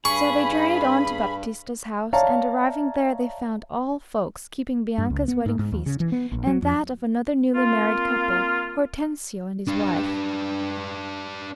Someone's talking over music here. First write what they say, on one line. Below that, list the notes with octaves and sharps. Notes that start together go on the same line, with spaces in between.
So they journeyed on to Baptista's house, and arriving there, they found all folks keeping Bianca's wedding feast, and that of another newly married couple, Hortensio and his wife.
G2 G#4 B5 C#6
C#5 D5 E5 F5 A5 A#5
G2
C#2
B3
G#2
G#2
D#2
C#3
E3
B3
A#1
F#3
F2
A#3 C4 F4
D4 B4